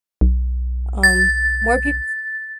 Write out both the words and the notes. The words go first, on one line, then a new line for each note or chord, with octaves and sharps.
um, more peop
B1
A6